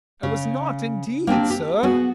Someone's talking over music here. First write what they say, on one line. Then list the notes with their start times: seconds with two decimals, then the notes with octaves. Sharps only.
'I was not, indeed, sir.'
0.23 C#3
1.27 A#3 C4 D4 G4
1.50 G4
1.83 B3 F#4 G#4